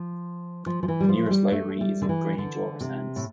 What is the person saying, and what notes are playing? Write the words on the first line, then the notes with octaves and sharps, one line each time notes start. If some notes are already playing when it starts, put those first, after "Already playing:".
The nearest library is in Grange-over-Sands.
Already playing: F3
F3
F3
E3
G3
F3
A3
G3
A3
G3
D3
E3
D3
C3
A2